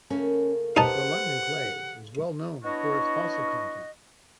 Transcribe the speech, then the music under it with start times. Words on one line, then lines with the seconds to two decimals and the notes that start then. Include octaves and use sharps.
The London Clay is well known for its fossil content.
0.10 C#3 A3 A#3 C#4
0.77 D#4 G4 B4 C5 F#5 A5
2.63 B3 D4 E4 F#4 C#5 D#5